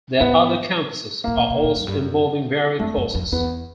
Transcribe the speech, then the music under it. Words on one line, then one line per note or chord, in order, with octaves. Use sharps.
Their other campuses are also involving varied courses.
G#2 B3
A2 A#3
A#2
B2
A#2
F#2
G2
F#2
F2 A3
F#2
F2
E2 B3